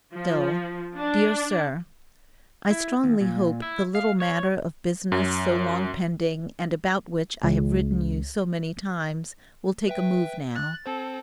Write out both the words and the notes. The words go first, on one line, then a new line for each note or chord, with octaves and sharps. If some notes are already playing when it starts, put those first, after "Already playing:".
STILL, DEAR SIR:--I strongly hope the little matter of business so long pending and about which I have written you so many times, will take a move now.
F3
D4
E4
D#2
A#2
E4
F5
C#5
F#2
C#2
B4 E5 G5
F#6 A6
C4 A4 C5